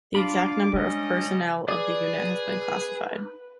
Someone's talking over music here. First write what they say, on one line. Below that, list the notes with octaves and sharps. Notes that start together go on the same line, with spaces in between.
The exact number of personnel of the unit has been classified.
D4 F4 F5 B5 D6
G3 G#3 C#4 D#5
G#4 B4 D5 D#6